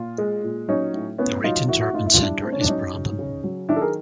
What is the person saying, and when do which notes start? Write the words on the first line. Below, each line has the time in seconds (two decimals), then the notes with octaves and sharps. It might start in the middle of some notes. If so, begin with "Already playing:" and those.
The region's urban centre is Brandon.
Already playing: A#2 F4
0.18 G#3
0.43 A#2
0.68 F#3 C#4 D#4
0.94 A2
1.18 A2 B3 C#4
1.44 F#3 D#4 F4
1.68 E3 E4 F#4
1.81 E4 F#4
1.94 A2 D#4 F4
2.06 E4
2.14 F4
2.19 G3 D4 E4
2.43 A2 C4
2.52 C#4
2.61 D4
2.68 F#3 C#4 D#4
2.94 C#3
3.19 C#3
3.44 F#3
3.69 D#3 D4 E4
3.76 A4
3.81 G#4 A#4